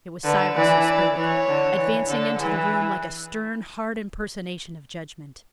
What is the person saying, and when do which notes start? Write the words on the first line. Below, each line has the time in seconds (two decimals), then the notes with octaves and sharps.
It was Cyrus who spoke, advancing into the room like a stern, hard impersonation of judgment.
0.24 D3 B4
0.56 E3 D5
0.86 D5
1.16 E3 C#5
1.48 D3
1.78 E3
2.08 D3 A4
2.39 E3 G#4